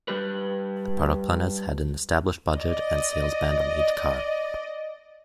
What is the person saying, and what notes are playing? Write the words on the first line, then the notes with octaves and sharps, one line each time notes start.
The product planners had an established budget and sales band on each car.
G3 G4 B4
D5 D#5